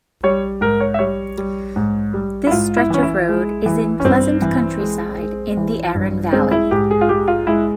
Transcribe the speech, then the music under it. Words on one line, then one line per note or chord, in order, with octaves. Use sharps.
This stretch of road is in pleasant countryside in the Aeron Valley.
G3 C#5
G#2 A#4
C#5
E5
G3 C#5
G3
G#2
G3
E4
G#2 F4
E4
E3 C#4
E4
G#3
E3
C#4
G2 C4
E3
G#3
G#3
E3
G2
G#3 C4
E4
G#2 G4
G#4
F4
G#3 G4
F4
G#3 E4